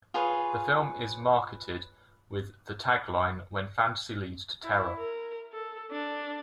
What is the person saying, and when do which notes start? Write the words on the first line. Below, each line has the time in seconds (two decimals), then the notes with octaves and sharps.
The film is marketed with the tagline When fantasy leads to terror.
0.14 F4 G#4 B4 C#5
4.63 E4
4.98 A#4
5.53 A4
5.91 D4